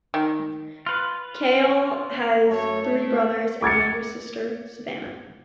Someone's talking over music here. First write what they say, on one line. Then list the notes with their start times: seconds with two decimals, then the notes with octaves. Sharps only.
Kahle has three brothers and a younger sister, Savannah.
0.14 D#3
0.86 F4 B4
2.48 F#2 A3 C#5
2.84 A3
3.62 D6 G#6 A6 C#7